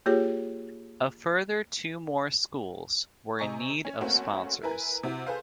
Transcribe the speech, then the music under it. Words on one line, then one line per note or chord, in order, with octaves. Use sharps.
A further two more schools were in need of sponsors.
A#3 F4 G4 G#4 C#5
C3 D#5 G#5 A#5 C#6
C#4
A3 A#3 C4 C#4 F#4
E4 A#4 B4 G#5
C3 E4 F#4
G#4 A4 B4 C5 F5